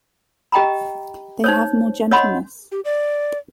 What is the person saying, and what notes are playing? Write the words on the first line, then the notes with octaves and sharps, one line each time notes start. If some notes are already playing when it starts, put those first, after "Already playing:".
They have more gentleness.
G4 D#5 G5 A#5 B5
D#4 C5 C#5
C#5 D#5 F#5 B5 C6
G4
D5